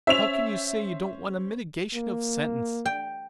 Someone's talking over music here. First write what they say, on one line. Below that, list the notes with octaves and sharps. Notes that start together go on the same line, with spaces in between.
How can you say you don't want a mitigation of sentence?
C#4 C5 E5 F7
A#3
G5